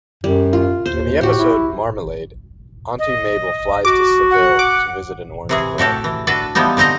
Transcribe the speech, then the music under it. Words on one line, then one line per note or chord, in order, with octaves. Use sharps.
In the episode "Marmalade" Auntie Mabel flies to Seville to visit an orange grove.
F#2 G3
F4
D#2 C5
A2 F#4 G4
E4
D#5
F#4 D6
F#5
D6
C3 E3 G#4
A2 F#4 G4 A4
E3
D4 F#4 A4 B4
E3 F3 G3 B3 D#4
D3 C4 D#4 D#5 A#5